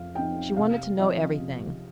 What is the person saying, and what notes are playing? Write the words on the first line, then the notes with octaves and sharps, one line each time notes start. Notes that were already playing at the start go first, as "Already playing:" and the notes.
She wanted to know everything.
Already playing: F2 F3 C4 F5
F3 C4 D#4 G5
C3 F5
F3 C4 D#5
C3